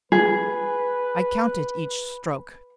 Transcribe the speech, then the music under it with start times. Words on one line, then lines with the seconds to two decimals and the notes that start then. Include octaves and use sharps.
I counted each stroke.
0.12 G#4 B4